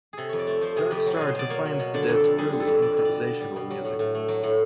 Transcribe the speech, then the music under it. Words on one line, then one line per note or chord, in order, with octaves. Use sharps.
"Dark Star" defines the Dead's early improvisational music.
C3 G#4 A4
F2 C#5
D5
A3 C#5
F3 C5
C3 G#4
F2 G4
F#3
B2 G#4
C5
B2 D5
A#3 C#5
F#3
B2
D3 D5
F2
A4
F2
G3 G#4
D3
A4
F2
G3 D5
B2
D5
B2
B3 D5
G3
B2
F#3
A2
A2
A3
F#3
A2